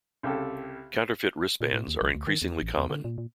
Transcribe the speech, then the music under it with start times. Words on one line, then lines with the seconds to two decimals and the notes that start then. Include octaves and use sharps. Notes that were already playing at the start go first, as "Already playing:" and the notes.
Counterfeit wristbands are increasingly common.
0.23 C2 C#3 G4 A4
1.61 A#2
1.73 A2
1.88 D#2
2.02 B1
2.15 D2
2.27 D#3
2.42 E2
2.62 A1
2.78 E2
2.90 D3
3.04 A#2
3.18 A#2